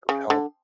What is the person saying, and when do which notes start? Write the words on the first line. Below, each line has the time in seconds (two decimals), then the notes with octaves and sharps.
it would help.
0.09 C#3
0.30 D3